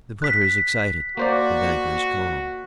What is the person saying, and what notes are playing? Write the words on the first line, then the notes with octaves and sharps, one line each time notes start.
The punter is excited, the banker is calm.
F#6 B6
A#3 F#4 C5 D5